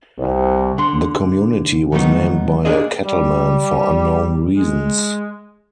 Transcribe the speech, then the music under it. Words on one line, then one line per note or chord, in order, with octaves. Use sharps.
The community was named by a cattleman for unknown reasons.
C2
D3 C6
D#3 F#3 A3 B3 D#4
A#3 D4 G#4 D#5
G3
G#3